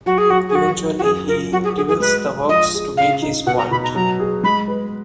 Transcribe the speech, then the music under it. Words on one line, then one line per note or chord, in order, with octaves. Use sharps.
Eventually, he reveals the hoax to make his point.
F#3 F#4
G#4
F#3 F#4
G#4
F#3 F#4
F#3
F#4
F#2 G#4
F4 A#4
F#3 F#4
G#4
F#4 G#4
G#4
G#3 B4
G#3
F3 D#5
G#4
C#3 F5
D#4
B2 F#5
A#5
B2 B5
A#5
F#3 A#5
G#4
G#3 B5
B4